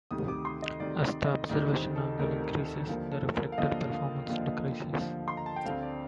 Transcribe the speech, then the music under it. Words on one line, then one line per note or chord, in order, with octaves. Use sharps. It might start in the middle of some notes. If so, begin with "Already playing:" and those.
As the observation angle increases, the reflector performance decreases.
D2 C3 D#3 D#6
D6
C6
D#5
D2 C3 D#3 D5
D#5
D2 C3 D#3 D5
C5
A4
D2 C3 D#3 A#4
A#4
A4
D#2 D3 F3 A#4
A4
A#4
F5
D#2 D3 F3 D#5
F5
D#2 D3 F3
D#2 D3 F3
C6
A#5
A5
G5
D2 D3 A3 C4 F5
D5